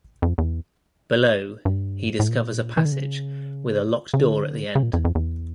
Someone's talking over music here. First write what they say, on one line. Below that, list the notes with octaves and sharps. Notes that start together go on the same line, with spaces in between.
Below, he discovers a passage with a locked door at the end.
F2
E2
G2
A2
A#2
E3
D3
C#3
C#3
D3
C#3
A#2
F2
E2
F2
E2